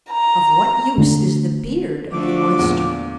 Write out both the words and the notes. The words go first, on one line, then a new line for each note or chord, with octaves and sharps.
Of what use is the "beard" of the Oyster?
A#5
D3 A3 D4
D3 F3 A3 F#4 D6
E2 A#2